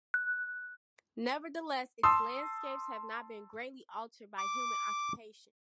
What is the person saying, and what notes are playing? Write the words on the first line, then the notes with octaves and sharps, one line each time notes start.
Nevertheless, its landscapes has not been greatly altered by human occupation.
F#6
A5 C6 D#6 E6
D6